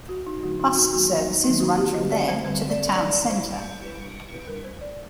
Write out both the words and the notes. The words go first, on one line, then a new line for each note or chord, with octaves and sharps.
Bus services run from there to the town centre.
F#4
D#4
D3 F#3 A3 D4 F#4
D#4
F#4
D#3 F#3 A#3 F#4
D#4
D#3 F#3 A#3 D#4
F#4
G4
D3 G3 C4 D#5
D5
C5
D3 G3 C4 C5
D5
G3 D4 D5
D5
C5
G3 D4
G3
D4
G3 D4 A#4
C5
D5